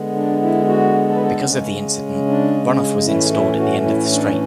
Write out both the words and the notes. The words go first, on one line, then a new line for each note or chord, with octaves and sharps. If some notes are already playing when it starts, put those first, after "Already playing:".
Because of the incident, runoff was installed at the end of the straight.
Already playing: D3 G#3 B3
D4
E4
F#4
A4
B4
A4
C#3 G#3 C#4
D4
C#4
A2 E3 A3 C#4 E4
E4
F#4
E4
D4